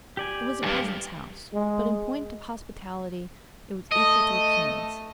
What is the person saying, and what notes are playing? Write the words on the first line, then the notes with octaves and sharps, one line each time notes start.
It was a peasant's house, but in point of hospitality it was equal to a king's.
G4 D5 G#5
C#2 G2
G#3
A3 A4 D#5